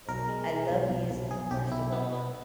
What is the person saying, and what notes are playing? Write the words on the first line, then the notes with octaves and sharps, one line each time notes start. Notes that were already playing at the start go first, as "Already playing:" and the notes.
Wel I love music, first of all, and
B1 A#4
G#3
G#3
B1
B1
B1
B1 G#4
B1 G4
B1 E4
B3
B3